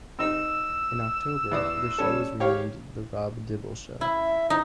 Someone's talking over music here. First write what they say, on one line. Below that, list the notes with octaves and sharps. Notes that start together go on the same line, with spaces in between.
In October, the show was renamed "The Rob Dibble Show".
C4 D#4 E6
E2 D5 D#6
G3 C#4 A4
G4 C#5 F5
E4 E5
D#4 E4